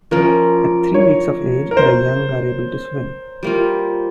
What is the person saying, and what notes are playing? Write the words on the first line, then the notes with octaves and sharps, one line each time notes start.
At three weeks of age, the young are able to swim.
F3 A#3 C#4 A#4
C#5
A#4
C5
G3 A#3 F4